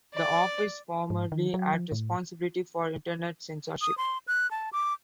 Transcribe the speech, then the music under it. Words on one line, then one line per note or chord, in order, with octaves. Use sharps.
The office formerly at responsibility for Internet censorship.
D5
G#2
D#3
F#3
F3
A2
D#6
C6
F#6
A5
D6